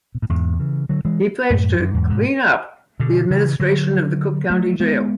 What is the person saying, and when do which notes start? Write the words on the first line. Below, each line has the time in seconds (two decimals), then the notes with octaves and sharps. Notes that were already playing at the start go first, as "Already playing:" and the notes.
He pledged to "clean up" the administration of the Cook County Jail.
0.15 B2
0.22 A2
0.29 E2 G#2
0.60 C#3 E3
0.89 D3 F#3
1.05 E3 G#3
1.50 F#2 A2
1.79 F#2
1.94 E2 G#2
2.10 G#2 B2
3.00 B2 D3
3.30 C#3 E3
3.60 D3 F#3
4.50 F#3 A3
4.80 G#3 B3